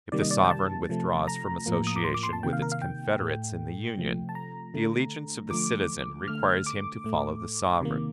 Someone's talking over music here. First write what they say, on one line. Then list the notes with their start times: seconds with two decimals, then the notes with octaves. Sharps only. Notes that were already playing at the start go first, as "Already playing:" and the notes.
If the sovereign withdraws from association with its confederates in the Union, the allegiance of the citizen requires him to follow the sovereign.
0.12 C3 D#3 G3 A#3 D5
0.21 D#5
0.31 D5
0.44 G5
0.51 A5
0.89 C3 F3 A3
1.28 A#5
1.66 A2 F3 A#3
1.87 D#6
1.96 D6
2.04 C6
2.14 D6
2.23 C6
2.33 A5
2.43 C3 D#3 A#3 G5
2.53 F5
2.62 A#4
2.72 F5
2.82 G5
3.20 A2 A3
3.97 C3 F3 A3
4.29 A5
4.35 A#5
4.74 D3 A3
5.51 D3 F3 A3 D6
6.27 D3 A3 F6
6.66 D6
7.04 A2 A3
7.81 C3 D#3 A#3